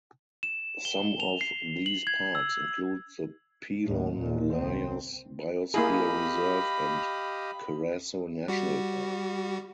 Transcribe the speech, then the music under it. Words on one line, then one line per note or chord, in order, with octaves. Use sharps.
Some of these parks include the Pilon Lajas Biosphere Reserve and Carrasco National Park.
E7
G7
F7
C7
F#7
G#6
E6
D#2 A2
D#2 A#2
C2 C4
A#3 E4 G4 G#4 D#5 F5 B5
G3 F#4